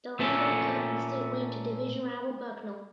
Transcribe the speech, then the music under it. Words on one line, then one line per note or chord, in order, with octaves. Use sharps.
The Lambert Cup instead went to division rival Bucknell.
A#2 A3 C#4 A4